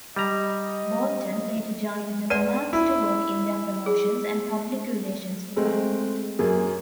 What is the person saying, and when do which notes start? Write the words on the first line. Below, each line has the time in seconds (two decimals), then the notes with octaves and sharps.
Bolton later joined the Monarchs to work in their promotions and public relations department.
0.16 G3 D#5 A#5
2.30 B4 D5 F#5 D#7
2.73 E4
3.86 G#4
5.56 G#3 A3 C4
6.39 F#2 A#3 G#4